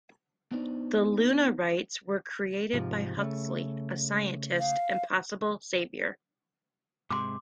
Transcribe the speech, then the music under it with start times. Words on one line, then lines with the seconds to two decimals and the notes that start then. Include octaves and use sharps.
The Lunarites were created by Huxley, a scientist and possible saviour.
0.51 B3 D4 D#4 C5 D5
2.73 G#2 C3 F3
3.17 C#3 A3
4.60 F5
7.10 G#2 C3 G#3 C6 D6